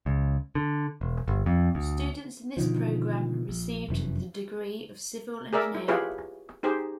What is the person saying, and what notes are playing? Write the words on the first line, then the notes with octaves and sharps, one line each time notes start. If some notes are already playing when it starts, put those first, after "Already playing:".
Students in this program received the degree of civil engineer.
C#2
D3
E1
G1
F2
D2
B2 D3 D#3 F3
A#1
F1 F#2 E3
G#4 A#4 D5 E5
E4
E4 F4 G4 G#4 B4 C#5
D#4 G4 G#4 C5